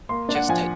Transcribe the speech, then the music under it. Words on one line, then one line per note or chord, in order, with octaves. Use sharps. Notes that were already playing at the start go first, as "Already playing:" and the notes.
just to
A#3 C6
D4
F#5
F3 G#5